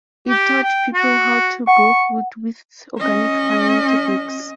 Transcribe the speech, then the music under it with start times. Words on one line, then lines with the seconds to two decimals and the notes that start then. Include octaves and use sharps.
It taught people how to grow food with organic farming techniques.
0.28 G4
0.63 G5
0.94 F#4
1.67 F#5 C#6
2.98 C#4 D#5